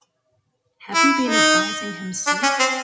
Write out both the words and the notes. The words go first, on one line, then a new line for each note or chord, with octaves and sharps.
Have you been advising him since?
E4
D#4
D4
C#4
C4